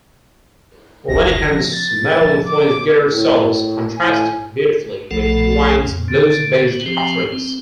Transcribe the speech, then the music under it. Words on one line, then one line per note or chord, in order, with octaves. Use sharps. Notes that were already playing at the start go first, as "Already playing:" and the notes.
Lenihan's metal-influenced guitar solos contrasted beautifully with Wynn's blues-based offerings.
F1 C#2 C#3 A#6
F3
A6
F3
D6
A2
A2 G#5
B1 F3 A3 A4 F#5
F2
D3
F3 C4 G4
C4